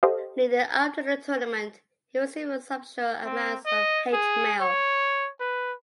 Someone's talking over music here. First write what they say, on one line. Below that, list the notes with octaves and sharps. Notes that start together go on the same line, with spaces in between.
Leading up to the tournament he received substantial amounts of hate mail.
G4 A4 C5 D#5 F5
C4
D#5
G#4
C#5
B4